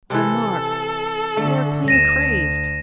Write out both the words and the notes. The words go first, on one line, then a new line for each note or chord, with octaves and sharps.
"Why, Mark, you are clean crazed!"
C3 E3 A4
D3 A3
D2 A#6 D#7 E7